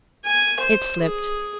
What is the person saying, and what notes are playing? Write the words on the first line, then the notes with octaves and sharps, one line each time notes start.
'It slipped.
G#5
C5
G#4